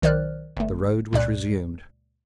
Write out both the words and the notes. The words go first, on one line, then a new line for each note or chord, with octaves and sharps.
The road was resumed.
B1 D#3 C5 D5 F6 F#6
G1 A3
C#2 A#2 D5 F#6